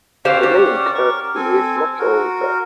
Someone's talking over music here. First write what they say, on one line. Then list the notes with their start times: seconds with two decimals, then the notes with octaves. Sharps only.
The name Kirkby is much older.
0.25 C#4 G4 C5 D5 F5 F#5
0.43 G4
0.95 A#4 C#6
1.35 C4 A4 G#5
1.99 F#4 A#4